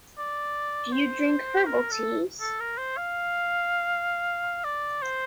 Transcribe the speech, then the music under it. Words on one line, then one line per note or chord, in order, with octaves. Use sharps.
Do you drink herbal teas?
D5
C5
A#4
A4
A4
A#4
C5
F5
D5
C5